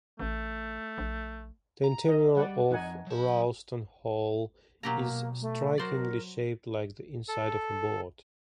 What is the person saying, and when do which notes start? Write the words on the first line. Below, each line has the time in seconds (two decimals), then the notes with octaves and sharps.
The interior of Ralston Hall is strikingly shaped like the inside of a boat.
0.20 A1 A3
0.98 A#1
1.84 A#5
2.09 D#5
2.37 G3 D5 F#5
2.71 F2 D#4 F#5 G#5
3.07 F#3 A5
4.83 B2 F#3 A#3 G4 A#5
5.41 A3
5.78 F#3 F#4 A#4 C5 D5
7.28 A4